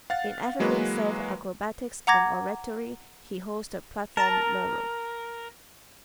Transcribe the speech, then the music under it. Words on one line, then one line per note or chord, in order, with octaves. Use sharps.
In everything save acrobatics and oratory he holds the platform laurels.
F5 F#5 A6
E3 F#3 G#3 A#3 F#4 B4
F#5 A#5 D6 G#6 A#6
A#4 A5 A#5